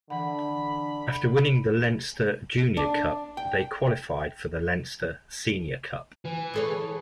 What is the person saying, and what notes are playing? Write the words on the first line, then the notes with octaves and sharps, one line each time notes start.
After winning the Leinster Junior Cup, they qualified for the Leinster Senior Cup.
D3 E3 F#5 B5
D4
G5
E3
G#4 A4 C#5